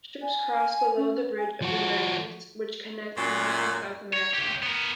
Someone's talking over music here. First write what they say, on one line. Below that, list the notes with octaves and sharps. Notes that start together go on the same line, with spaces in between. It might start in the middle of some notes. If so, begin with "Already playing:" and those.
Ships cross below the Bridge of the Americas, which connects North and South America.
G#5
C#4
G#5
F3 F#4
F#2 A#2
C#5
C#2 G4
B3 A#4